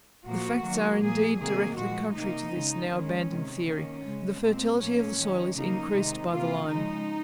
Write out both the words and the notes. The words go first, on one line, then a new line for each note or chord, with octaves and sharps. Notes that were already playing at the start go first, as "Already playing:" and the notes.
The facts are indeed directly contrary to this now abandoned theory: the fertility of the soil is increased by the lime.
A#2 F3 A#3 F#4
D#3 F#3 A#3
A#2 F3 A#3 G#4
C3 D#3 F#3 A#3 G#4
A#2 F3 G#3 F#4
C3 D#3 A#3 D#4
C#3 G#3
D#3 G#3 C#4
C3 D#3 G#3
D#3 A#3 C#4
C#3 G#3
A#2 G#3 C4
A#2 F3 A#3 C#4
D#3 G#3
C#3 F3 A#3 D#4
C3 D#3 G#3
C3 F3 A#3 F4
C#3 F3 G#3 D#4